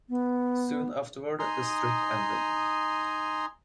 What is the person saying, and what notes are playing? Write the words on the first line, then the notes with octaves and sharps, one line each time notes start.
Soon afterward the strip ended.
B3
D#4 G#5 A#5 C6 D#6